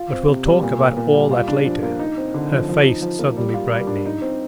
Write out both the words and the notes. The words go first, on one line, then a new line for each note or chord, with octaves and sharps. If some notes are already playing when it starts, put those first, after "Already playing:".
"But we'll talk about all that later," her face suddenly brightening.
Already playing: F4
C4
C3
G3
A#2
A#3
A#2
G3
F4
D4
F3
A#3
D#4
C4
D3
F3
F3
D#4
F3
A#3
G3
F4
G3
D4
D#4
C4